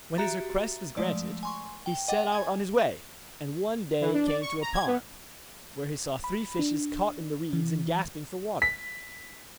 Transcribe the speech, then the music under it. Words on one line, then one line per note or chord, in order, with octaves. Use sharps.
When his request was granted he set out on his way, and one day came to a pond, where he saw three fishes caught in the reeds and gasping for water.
F#4 G4 E5 A#5 A6
F3 G#3 A3 D5
G#5 C6 C#6
G5
D#5 F#5 G5 D6 A6
G#5 G#6
E3
D4
D5
C#6
A#5
G#6
B3
B5
D4
E3
B6